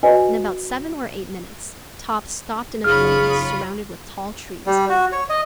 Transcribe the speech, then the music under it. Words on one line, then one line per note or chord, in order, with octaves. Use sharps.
In about seven or eight minutes Top stopped in a glade surrounded with tall trees.
F#4 B4 C#5 D#5 G#5
F#1 D#4 F4 G#4 C#5 B5 F6
G3
F#4
C#5
D#5